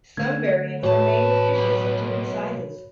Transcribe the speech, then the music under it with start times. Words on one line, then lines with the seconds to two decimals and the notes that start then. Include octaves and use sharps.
Some variants are made with fishes of different sizes.
0.17 D3 A3 G#6
0.83 A2 E3 F#4 B4 C#5 A5
1.55 B1